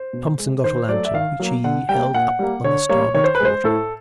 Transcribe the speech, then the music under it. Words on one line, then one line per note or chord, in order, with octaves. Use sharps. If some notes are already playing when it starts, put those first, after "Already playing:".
Thompson got a lantern, which he held up on the starboard quarter.
Already playing: C5
B2
G#3
D#3 C5
F#3 A3 D5
E5
D#3 F5
F#3 A#3
D3 F#5
G3 A#3 G5
A#2 F#5
G3 A#3
D3 C#5
G3 A#3 C#5
D#3 C#5
C5
B4
G#3
C5
A2 A4